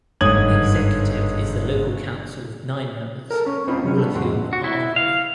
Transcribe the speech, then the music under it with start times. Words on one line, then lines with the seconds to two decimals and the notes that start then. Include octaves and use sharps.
Executive is the local council with nine members, all of whom are honorary.
0.21 G1 G#2 C#5 D#6 G#6 F#7
3.31 A4 A#4
3.46 C#4
3.67 C4 D#4 F4 C5 B5
3.84 C3 F#3 B3 C#4
3.97 G3 B3 D4 A4
4.15 E2 G#2 G#3 C4 F#4
4.53 F#4
4.64 E4
4.96 F5